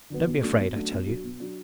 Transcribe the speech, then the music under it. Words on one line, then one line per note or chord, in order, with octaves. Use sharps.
Don't be afraid, I tell you.'
D3 F#3 B3
B2
F#3 A3 D4 F#4
B2
F#3 A3 D4 F#4
B2
F#3 D4
B2
F#3 D4